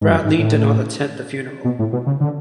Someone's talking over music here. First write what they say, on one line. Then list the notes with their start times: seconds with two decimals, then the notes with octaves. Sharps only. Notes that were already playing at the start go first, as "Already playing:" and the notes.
Bradley did not attend the funeral.
0.01 G#2
0.10 F#2
0.25 G#2
0.39 A2
1.64 B2
1.79 A2
1.93 B2
2.07 C#3
2.20 D3